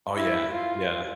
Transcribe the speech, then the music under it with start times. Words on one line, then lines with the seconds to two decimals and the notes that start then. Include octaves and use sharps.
Oh, yeah. Yeah.
0.15 E4
0.54 F4